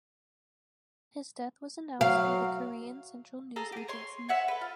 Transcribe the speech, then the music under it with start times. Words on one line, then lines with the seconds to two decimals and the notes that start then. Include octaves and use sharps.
His death was announced by the Korean Central News Agency.
2.01 F#3 F5
3.56 G#4 A4 A#5
3.72 G4 G#4
3.88 C#5 C6
4.29 C#5 E5 F#5 G#5
4.48 A4 B4
4.61 F4